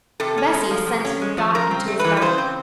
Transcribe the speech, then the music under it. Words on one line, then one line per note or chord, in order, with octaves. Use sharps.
Bessy assented and got into his buggy.
C3 A4
C#4
G#3
F3
C3
C#4
G#3
F3
C#3 A#4
C4
A3
E3 B4
B4
C#3 C5
C4